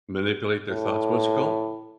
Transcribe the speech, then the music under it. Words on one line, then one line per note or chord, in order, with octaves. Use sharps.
manipulate their thoughts. What's it called?
A2